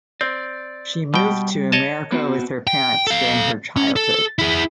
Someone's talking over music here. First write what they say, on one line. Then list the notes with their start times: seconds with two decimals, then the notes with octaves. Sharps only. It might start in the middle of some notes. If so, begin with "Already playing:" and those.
She moved to America with her parents during her childhood.
0.21 C4 D5
1.14 B2 G3 G5
1.72 C#5 D#5 A5
2.12 B3 C4 F#4
2.67 G5
3.07 A4 F5
3.76 C#4
3.96 A4
4.39 E4 G#4